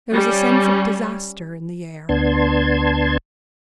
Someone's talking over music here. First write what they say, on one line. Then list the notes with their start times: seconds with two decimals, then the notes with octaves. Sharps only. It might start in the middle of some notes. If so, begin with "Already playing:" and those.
There was a sense of disaster in the air.
0.12 G3 C#4
2.09 D2 B3 D4 A5 C6 G#6